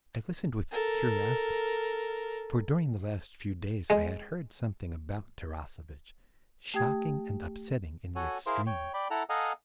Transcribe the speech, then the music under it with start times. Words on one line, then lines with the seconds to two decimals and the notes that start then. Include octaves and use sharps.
I listened with curiosity--for during the last few days I had heard something about Tarasevitch--shocking and upsetting in the extreme.
0.72 A4 A#4
3.90 G#3
6.74 A3 G4 G5 D#6 G#6
8.16 F#4 A4 C#5 F#5 G#5
8.46 E4 G#4 A#4 C5 F5 C6
8.67 C#5 G5
8.94 D5 G5 B5
9.10 E4 A4 F#5 A5 A#5
9.30 A4 D#5 F5 F#5 G#5 A#5